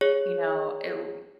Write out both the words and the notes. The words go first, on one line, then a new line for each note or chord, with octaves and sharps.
You know, it w
G#4 C#5